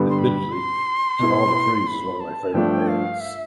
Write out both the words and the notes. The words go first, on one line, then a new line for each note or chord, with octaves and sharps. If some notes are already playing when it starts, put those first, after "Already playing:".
Admittedly, Cheval de Frise is one of my favorite bands.
Already playing: G2 D3 G3 B3
C6
B5
C6
B2 B3 E4
B5
A5
G2 F3 A3 D4 G5
F5
E5